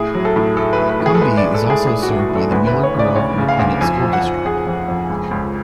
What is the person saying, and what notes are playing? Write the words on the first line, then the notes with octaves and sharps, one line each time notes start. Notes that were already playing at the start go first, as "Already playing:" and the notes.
Cumby is also served by the Miller Grove Independent School District.
Already playing: A2 G#4
F#3
A4
A2
A3 A4
B4
A3
B4
A2
G#4
A4
G#3 B4
D5
G#3
A4
G#3 G#4
A2 G#4
F#4
A2
F#4
A2
A4
D2 B4
B4
D2
C#5
C#3 D5
D2 C#5
C#3
F5
D2
F2 G#5
F3
F#5
F2
F2 G#4
F2
F2
C#2
C#2